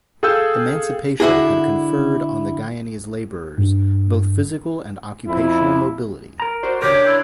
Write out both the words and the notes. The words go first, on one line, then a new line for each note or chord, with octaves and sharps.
Emancipation had conferred on the Guianese laborers both physical and occupational mobility.
G#4 A4 F5 G5 E6 G6
D3 E4 F#4 G#4
G2
F2 E4
A#4 A#5
F#4 C5 D5
C#3 D4 G4 A#4 C#5 A#6
E4 C6 F#6 A6